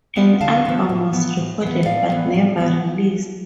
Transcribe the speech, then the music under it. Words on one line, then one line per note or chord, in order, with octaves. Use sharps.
An album was recorded, but never released.
F3 B3
D3 F5 A5
F3 B3
A2
E3 B3
A2
E3
B3
A2 D5 F5
E3 B3
A2
E3 B3